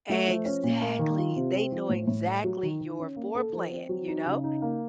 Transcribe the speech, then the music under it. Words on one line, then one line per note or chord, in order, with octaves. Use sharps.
Exactly, they know exactly your floor plan, you know?
A3
F3
C#4
A#2
A#3
D#3
F4
C3
C4
F3
A2
A2
A3
F#3
D#3
D#3
C#4
A#3
A4
F3
C4
F#3
D#4
C#3
D#4
A#3